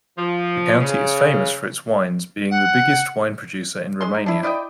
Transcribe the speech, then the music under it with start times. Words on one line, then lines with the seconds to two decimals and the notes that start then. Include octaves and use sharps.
The county is famous for its wines, being the biggest wine producer in Romania.
0.18 F3
0.80 C#3
2.51 F#5
4.01 G#3 C6
4.15 D#4
4.26 D4 E4
4.43 E4 D5 D#5 G5